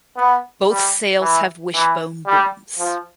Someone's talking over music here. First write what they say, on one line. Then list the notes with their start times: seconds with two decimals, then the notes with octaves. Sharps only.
Both sails have wishbone booms.
0.16 B3
0.69 G3
1.21 E3
1.74 E3
2.26 G3
2.79 F3